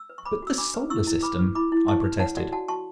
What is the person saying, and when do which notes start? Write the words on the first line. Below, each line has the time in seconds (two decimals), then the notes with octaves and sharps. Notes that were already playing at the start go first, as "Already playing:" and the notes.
"But the Solar System!" I protested.
Already playing: E6
0.10 B4
0.18 C#6
0.25 B4 B5 D6
0.42 F#4 E6
0.58 D4 B5 D6
0.74 B4
0.90 E4 C#6 E6
1.07 E4
1.23 B4 B5 D6
1.39 B4
1.55 E4 B5 D6
1.72 E4
1.88 E4 A5 C#6
2.04 B4
2.20 C#5 F#5 A5
2.37 F#4 D5 F#5
2.52 F#4 F#5 A5
2.68 F#4 A5 C#6